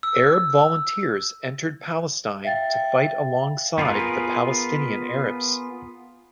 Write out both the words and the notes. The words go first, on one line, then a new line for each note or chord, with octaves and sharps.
Arab volunteers entered Palestine to fight alongside the Palestinian Arabs.
E6
E5 F5 G5 A6
B3 F4 G#4 A#4 B4